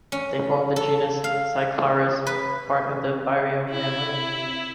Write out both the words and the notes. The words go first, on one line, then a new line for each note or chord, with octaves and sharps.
They form the genus "Cyclarhis", part of the vireo family.
C#4
A4
F5
B4
C3
E4